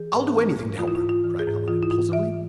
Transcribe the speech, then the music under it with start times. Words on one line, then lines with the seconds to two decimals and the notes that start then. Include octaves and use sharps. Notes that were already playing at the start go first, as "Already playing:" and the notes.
"I'll do anything to help her!" cried Allan, impulsively.
Already playing: E3 G#4
0.13 G#2
0.35 E3
0.58 G#2
0.79 E3 F4
0.88 E4
0.95 F4
1.01 G#2
1.09 F4
1.24 E3
1.39 G#4
1.47 G#2
1.68 E3 F4
1.83 E4
1.90 G#2 F4
2.12 E3 E5